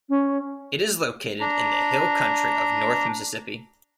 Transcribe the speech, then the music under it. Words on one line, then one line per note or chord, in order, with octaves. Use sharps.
It is located in the hill country of north Mississippi.
C#4
D4 A#5